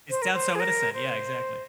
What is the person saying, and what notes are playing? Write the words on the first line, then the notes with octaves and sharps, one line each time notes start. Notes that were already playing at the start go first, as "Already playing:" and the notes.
It sounds so innocent. Yeah, exactly.
C5
A#4
C5
G#4
A#4
C5